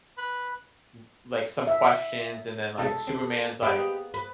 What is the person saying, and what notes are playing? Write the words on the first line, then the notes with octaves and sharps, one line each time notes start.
li like, some questions, and then, like, Superman's like
B4
E5
G#2 B2 A4 D#5 A5
C4
A#3 B3 G4 G#4 B4 D#5
B4